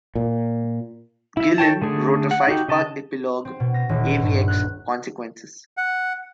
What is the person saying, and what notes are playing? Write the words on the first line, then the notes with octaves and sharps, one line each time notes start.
Gillen wrote a five-part epilogue, "AvX: Consequences".
A#2
E4 E5
A4 C#5 G5 A5
D3 A3 G#4
F#5
D#4 F#4 G4
C#3 D#5 A5
C4
B2
A#6
D#1
B4
G2
F#6
F#5